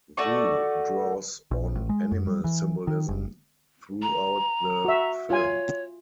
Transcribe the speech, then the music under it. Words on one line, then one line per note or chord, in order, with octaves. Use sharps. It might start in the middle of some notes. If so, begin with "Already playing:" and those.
Woo draws on animal symbolism throughout the film.
A3 F#4 D5 C#6
A#1
A1
G#3
F#2
G3
E3
D#3
F#1
A#5
F#4 E5
F4 C#5 G#5